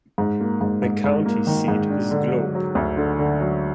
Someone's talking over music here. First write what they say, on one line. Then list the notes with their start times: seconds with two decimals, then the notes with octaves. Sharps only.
The county seat is Globe.
0.18 G#2
0.40 A#3
0.61 G#2
0.82 G#2
1.04 G#2
1.26 A#3
1.47 D#3
1.68 G#2
1.90 D4
2.11 D3
2.32 F#3
2.55 F#3
2.75 D2
2.97 D3
3.19 D3
3.40 F#3